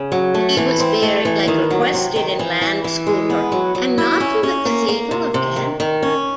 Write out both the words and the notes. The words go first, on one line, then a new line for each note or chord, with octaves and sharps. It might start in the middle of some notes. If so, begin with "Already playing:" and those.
He was buried like requested in Landskouter, and not in the Cathedral of Ghent.
Already playing: C#3
F#3
A3
E3
C4
A3
E3
D#3
F#3
C3
D#3
E3
E3
E3
G#3
B3
F#3
F#3
E4
C#4
C#4
A#3
A#3
C3
C3
D#3
D#3
C#4